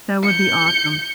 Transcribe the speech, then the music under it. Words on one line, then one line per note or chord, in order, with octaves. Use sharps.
That would be awesome.
G6 C#7